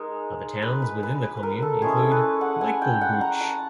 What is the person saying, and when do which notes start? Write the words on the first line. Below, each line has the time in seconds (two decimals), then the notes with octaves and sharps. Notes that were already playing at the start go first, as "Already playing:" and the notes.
Other towns within the commune include Michelbouch.
Already playing: G#3 D#4 A#4
0.62 B4
0.82 B4
1.03 B4
1.23 B4
1.37 B4
1.43 A#4
1.62 A4
1.82 G#3 C#4 E4 G#4
1.97 A4
2.11 B4
2.41 F#5
2.61 G#5
2.82 G5
3.01 F#5
3.21 A#5
3.41 A5